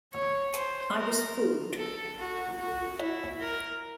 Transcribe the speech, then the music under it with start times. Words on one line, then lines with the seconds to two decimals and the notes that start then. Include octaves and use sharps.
I was fooled.
0.14 C#5
0.54 C5
0.96 A#4
1.77 A4
2.18 F#4
2.59 F#4
3.00 E4
3.41 A#4